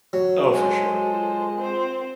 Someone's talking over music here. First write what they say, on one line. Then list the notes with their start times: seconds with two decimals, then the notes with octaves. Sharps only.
Oh, for sure.
0.13 F#3 F#4
0.54 G#3 A4 C5
1.12 F4
1.56 C4 C5